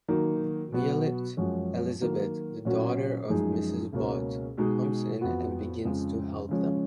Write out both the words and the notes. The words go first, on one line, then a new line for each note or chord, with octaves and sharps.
Violet Elizabeth, the daughter of Mrs. Bott, comes in and begins to "help" them.
D#3 F#3 A#3 D#4
B2 F#3 B3 F#4
F#2 F3 G#3 C#4 F#4
D#3 F#3 A#3
A#2 F#3 C#4 F#4
F#2 F3 G#3 D#4 G#4
C#2 B2 A#3 C#4
B2 G#3 D#4 G#4
F2 F3 B3 F#4
F2 C#3 F3 G#3
C#3 F3 G#3 C#4